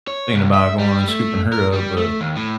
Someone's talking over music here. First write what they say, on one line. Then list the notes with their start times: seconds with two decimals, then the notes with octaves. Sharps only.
thinking about going and scooping her up, but,
0.08 C#5
0.35 C2
0.54 E5
0.79 G3
1.08 A3
1.53 A#4
1.73 G3
1.98 A3
2.21 D#2
2.36 A2